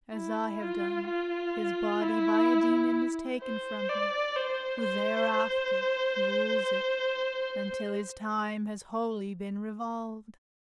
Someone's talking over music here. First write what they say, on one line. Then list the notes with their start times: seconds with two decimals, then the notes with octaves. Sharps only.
As I have done, his body by a demon Is taken from him, who thereafter rules it, Until his time has wholly been revolved.
0.14 E4
0.62 F4
1.08 F4
2.02 E4
3.42 C5
3.89 D5
4.36 C5
4.82 C5